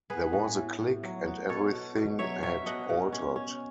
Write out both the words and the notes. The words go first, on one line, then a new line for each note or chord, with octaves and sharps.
There was a click, and everything had altered.
B3 G#4 B4
A2
A2
A2
F#3
B3
B2 A4 C#5
B2
B2
F#3 C#5 E5
B2 C#5 E5
B2 D#5 F#5
B2
C#4
C#4